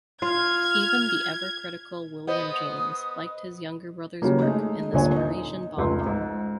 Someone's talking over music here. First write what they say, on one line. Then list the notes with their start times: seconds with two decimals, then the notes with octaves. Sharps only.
Even the ever-critical William James liked his younger brother's work in this Parisian bonbon.
0.22 F4 F6 G#6
2.27 B3 C5 D#5 D#6
4.22 C#3 F#3 G3 A#3
4.43 G#3 A3 D#4
4.93 D#1 A#2 D3 C#5 G#5
5.16 D#4
5.77 F1 C#2 C6
6.06 G#2